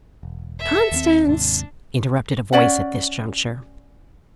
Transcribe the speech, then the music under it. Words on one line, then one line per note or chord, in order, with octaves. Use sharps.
"Constance!" interrupted a voice at this juncture.
E1
A4 E5
D#2 A3 C4
D#2 G#2 C3 D4
C#4 D5 F#5